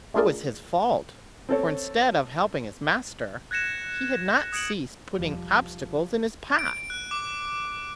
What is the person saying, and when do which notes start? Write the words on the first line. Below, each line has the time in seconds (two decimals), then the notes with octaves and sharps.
It was his fault, for, instead of helping his master, he had not ceased putting obstacles in his path!
0.14 A3 D4 F4 G#4 A#4 D5
1.49 C4 A4 C#5
3.51 F#6 G#6 A#6 C#7 E7
4.53 D#6 G#6 C#7 D7 F#7
5.19 E1 F3 G3
6.59 D7
6.90 F#6
7.11 D6